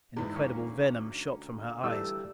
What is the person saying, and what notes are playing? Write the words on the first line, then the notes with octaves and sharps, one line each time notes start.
An incredible venom shot from her eyes.
E2 G#2 E3
D2 A#3 C#4
E3 G3 A3 E6